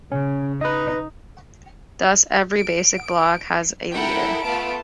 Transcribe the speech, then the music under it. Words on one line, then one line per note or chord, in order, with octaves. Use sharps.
Thus every basic block has a leader.
C#3 C#4
D#4 B4 D#5
D7
E4 A4 A#4 F#5 G5
A3 B3 F4 A5 D7